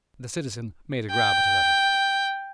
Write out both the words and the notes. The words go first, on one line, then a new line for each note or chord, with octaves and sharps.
The citizen made a grab at the letter.
G5